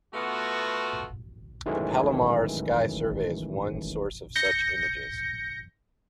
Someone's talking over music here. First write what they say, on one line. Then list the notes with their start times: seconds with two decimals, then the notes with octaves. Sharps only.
The Palomar Sky Survey is one source of such images.
0.14 B2 A3 B3 F4 F#4
1.66 D#3 E3 F#3 G#3 A3 C#4
4.35 G6 A#6 C#7